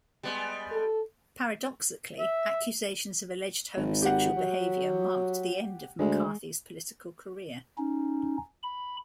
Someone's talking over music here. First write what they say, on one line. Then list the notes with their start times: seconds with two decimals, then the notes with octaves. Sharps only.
Paradoxically, accusations of alleged homosexual behaviour marked the end of McCarthy's political career.
0.23 G3 G#3 B3
0.72 A4
2.19 E5
3.77 G#1
4.02 G4 F#5
4.37 F#3
5.99 D2 G#3
7.78 C#4 D#4
8.63 B5